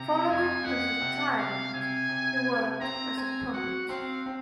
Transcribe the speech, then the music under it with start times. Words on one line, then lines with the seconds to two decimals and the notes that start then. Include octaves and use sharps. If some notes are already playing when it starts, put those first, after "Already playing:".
Following his retirement, he worked as a pundit.
Already playing: C3 A#5
0.29 F2 G#5
0.64 F2 F#5
1.01 C3
1.37 C3 F5
1.73 C3 G#5
2.09 C3
2.45 C3
2.81 C4 A#5
3.17 C4 G#5
3.53 F#4 F#5
3.89 C4 F5
4.26 C4